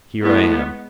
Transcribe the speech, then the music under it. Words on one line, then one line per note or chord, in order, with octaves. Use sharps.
Here I am.
A2 G#3 B3